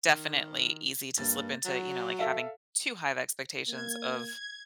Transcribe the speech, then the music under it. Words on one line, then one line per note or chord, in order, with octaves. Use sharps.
definitely easy to slip into, you know, like, having too high expectations of
D#3
G2 A#3 A6
F#3 F#4
A4 E5 F5
A#3 G#6